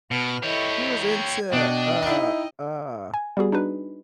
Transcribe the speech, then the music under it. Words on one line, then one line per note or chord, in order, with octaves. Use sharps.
she was into, uh uh
B2 B3 B4 F6
E4 G4 A4 C#5 D#5
G#6
B2 D4 D#5 G5
D#4 E4
G#5
G3 B3 F#4 G#4
D4 D#4 F#4 B4